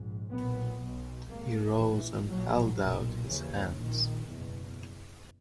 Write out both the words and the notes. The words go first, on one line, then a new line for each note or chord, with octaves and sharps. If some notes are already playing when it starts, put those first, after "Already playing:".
He rose and held out his hands.
Already playing: A#1 G#2
B1 A#2 B3
B1 B2
G#1 G#2 A#3
A#1 A#2 E3
A#1 A#2 F#3
B1 A#2
D#2 C#3 E3
A#1 A#2 D#3
F#1 E2 B2